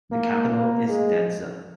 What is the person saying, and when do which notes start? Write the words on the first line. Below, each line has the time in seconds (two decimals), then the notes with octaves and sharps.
The capital is Dedza.
0.12 A#3
0.50 A#3
0.89 G#3